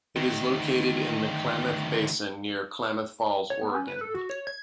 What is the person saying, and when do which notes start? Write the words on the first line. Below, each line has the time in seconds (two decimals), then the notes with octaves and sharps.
It is located in the Klamath Basin near Klamath Falls, Oregon.
0.16 D2 D#3
3.50 C#5
3.62 B3
3.75 C#4
3.87 B4
4.01 A4
4.14 F#4
4.30 C#5
4.47 G#6